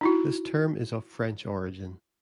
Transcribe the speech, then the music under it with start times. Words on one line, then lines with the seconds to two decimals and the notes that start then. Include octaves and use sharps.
The term is of French origin.
0.01 D#4 E4 F#4